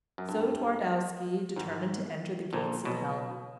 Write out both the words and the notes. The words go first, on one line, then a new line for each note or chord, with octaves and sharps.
So Twardowski determined to enter the gates of hell.
F#2
G2
G#1 G#2
A#1 A#2
B1 B2